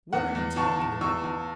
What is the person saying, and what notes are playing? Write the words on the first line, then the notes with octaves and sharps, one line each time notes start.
What are you talking about?
E2 F#5
E2
E2 A5 C#6
E2
E2 C#6 E6
E2